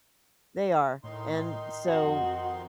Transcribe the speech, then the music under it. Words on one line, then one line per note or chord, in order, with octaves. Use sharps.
They are, and so,
A2 D#3 D#4 C6
F2 F#4